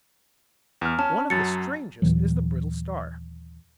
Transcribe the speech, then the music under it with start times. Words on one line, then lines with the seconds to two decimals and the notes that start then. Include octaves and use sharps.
One of the strangest is the Brittle Star.
0.81 E2 F6
0.99 C#4 A5
1.30 F#2 F#3 A6 C#7
2.02 D#2 A#2 E3 F#3